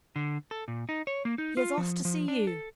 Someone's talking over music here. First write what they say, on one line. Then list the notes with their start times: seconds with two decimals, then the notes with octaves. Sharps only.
He has asked to see you.
0.16 D3
0.51 A4
0.68 A#2
0.89 D#4
1.07 C#5
1.25 A#3
1.38 D#4
1.57 F4
1.78 F3
2.05 F3
2.28 D4
2.47 A4